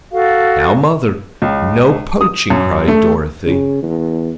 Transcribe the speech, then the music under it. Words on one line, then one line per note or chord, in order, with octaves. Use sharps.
"Now, mother, no poaching," cried Dorothy.
F#4 A4 F5
C#2
D#6
F#2
A3
C#3
E2